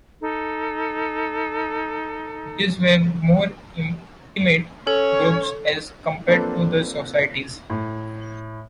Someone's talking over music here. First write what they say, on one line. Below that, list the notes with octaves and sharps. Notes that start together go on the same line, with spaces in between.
These were more intimate groups as compared to the societies.
D#4 A4
C#4 A4 C#5
A#3 C4 D4 F4 A4 B4
A2